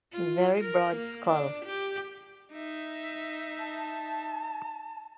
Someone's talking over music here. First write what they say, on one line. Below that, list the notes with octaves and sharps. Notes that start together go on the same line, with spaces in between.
Very broad skull.
F4
A#4
A#3
D4
G4
D#4 E5
A5